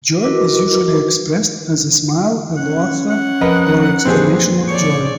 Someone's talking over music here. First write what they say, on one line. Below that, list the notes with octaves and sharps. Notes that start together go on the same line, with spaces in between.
Joy is usually expressed as a smile, a laughter or exclamation of joy.
E4 F#4 A#4 B4 D#5 D6
C#4 F#5
F#5
F2 A#4 B4 D#5
F2 A#2 C4 G4 G#4 B4
C#5 D5 C#6